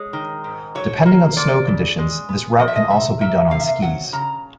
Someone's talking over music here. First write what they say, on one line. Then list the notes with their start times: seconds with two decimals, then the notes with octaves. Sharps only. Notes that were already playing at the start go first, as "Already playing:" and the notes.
Depending on snow conditions, this route can also be done on skis.
Already playing: G#3 C#5
0.13 D#3
0.44 G#2
0.75 F#3 C#5
1.06 A#3
1.37 F3 D5
1.67 C#3
1.98 G#3
2.29 B3
2.59 F3 D#5
2.68 E5
2.76 D#5
2.90 C3 E5
3.21 A#3 E5
3.51 C3 F5
3.60 E5
3.67 F5
3.82 F#3 F#5
4.13 C#3 A#5